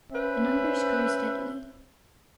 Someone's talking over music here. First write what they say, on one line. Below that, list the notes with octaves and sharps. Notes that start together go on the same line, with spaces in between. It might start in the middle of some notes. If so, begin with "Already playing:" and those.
The numbers grew steadily.
C#4 B4 C5 E5